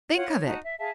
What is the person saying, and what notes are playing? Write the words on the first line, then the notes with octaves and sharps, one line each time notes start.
Think of it.
F4 C#5 F#5
C#5
D#4 F#4 A5
E5
G#4 E5 F5 A5